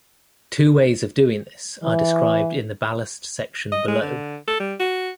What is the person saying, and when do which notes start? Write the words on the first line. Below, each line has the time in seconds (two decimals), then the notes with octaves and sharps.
Two ways of doing this are described in the ballast section below.
1.84 E3
3.72 D#5
3.88 G#3
4.02 D3
4.48 A4
4.60 G3
4.80 F#4